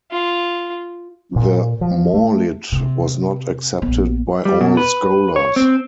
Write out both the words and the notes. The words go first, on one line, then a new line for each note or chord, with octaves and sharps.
The Mawlid was not accepted by all scholars.
F4
A#2
F3
A3
C3
A#1 B3
G3
B2
B4
C#5
C4